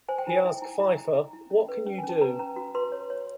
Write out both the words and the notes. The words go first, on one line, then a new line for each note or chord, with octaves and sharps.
He asked Feiffer, What can you do?
C5 G#5
G5
E4 G#5
E4
E4
E4 A#5
E4
E4
E4
C#4
B4
C#4
G#5
C#4
A5
B4 A#5
C#4 A#5
F#4
B4 C6
C#5
C#5